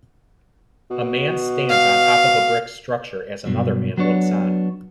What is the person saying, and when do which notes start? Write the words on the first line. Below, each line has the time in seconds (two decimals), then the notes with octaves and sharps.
A man stands on top of a brick structure as another man looks on.
0.90 B2
1.70 F5
3.46 G2 B2 F#3
3.97 F#3 B3 D4 C#5